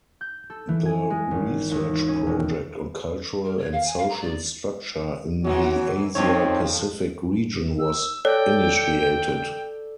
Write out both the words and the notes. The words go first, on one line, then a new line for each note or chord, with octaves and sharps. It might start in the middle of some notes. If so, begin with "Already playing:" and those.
The research project on cultural and social structure in the Asia-Pacific region was initiated.
G6
A4
E3
G#5
G#3
G#1
D#2
C#4
E1
A#4
C#5
F5
G#5
F5
A#5
D5
F#2 C3 E3 F#4 C#5
F2 F3 C4 D#4 C#5
E6
A4 C#5 D5 G5